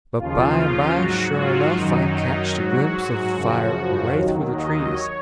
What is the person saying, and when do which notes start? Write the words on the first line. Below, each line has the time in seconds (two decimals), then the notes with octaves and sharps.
But by and by, sure enough, I catched a glimpse of fire away through the trees.
0.19 D#2 C#3 F3 F4
0.59 F4
0.97 G#2 F#3 F#4
1.38 F4
1.76 F#2 D#3 F#3 D#4
2.55 G#2 F#3 F#4
3.34 F#2 C#3 F3 F#4
4.14 D#2 D#3 F#3
4.53 D#5
4.92 C#5